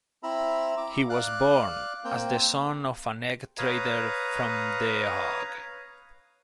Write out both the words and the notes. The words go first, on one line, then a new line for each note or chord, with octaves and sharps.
He was born as the son of an egg trader from The Hague.
C4 E4 A#5 B5 E6
A#5 D6
D5 F5 F#6
A#3 C4 G5
B4 C#5 F5 A#5 D#6